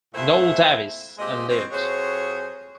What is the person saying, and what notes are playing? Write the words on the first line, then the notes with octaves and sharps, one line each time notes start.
Noel Davis and Lieut.
F2 A#2 A3 E4 C5 E5
A#2 G#3 C4 G4 D#5
E3 C4 C#4 C5 D#5
F2 F#4 G#4 C5 C#5